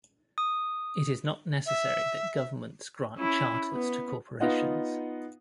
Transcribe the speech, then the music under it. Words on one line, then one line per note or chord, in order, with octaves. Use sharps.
It is not necessary that governments grant charters to corporations.
D#6
E5
C#4 E4
B3
B3 D#4 F4 D#5 F#5